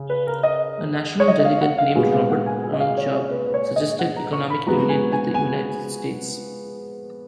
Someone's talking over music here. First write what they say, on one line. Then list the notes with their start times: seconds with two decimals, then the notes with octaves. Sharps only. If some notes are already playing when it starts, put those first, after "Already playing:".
A National Delegate named Robert Brown Job suggested economic union with the United States.
Already playing: C#3 G#4
0.10 B4
0.27 A#4
0.43 D#5
1.20 C#5
1.28 D#5
1.39 D#5
1.45 F5
1.61 F#5
1.79 F5
1.95 A#2 G#3 B3 F#4
2.13 F5
2.30 F#5
2.46 G#5
2.63 G#5
2.73 D#5
2.80 F5
2.97 C#5
3.14 C#5
3.31 B4
3.48 B4
3.54 C#5
3.76 D#5
3.99 F#5
4.16 A#5
4.33 C#6
4.50 B5
4.66 F3 G#3 B3 F#4 A#5
4.89 G#5
5.12 G#5
5.34 G#5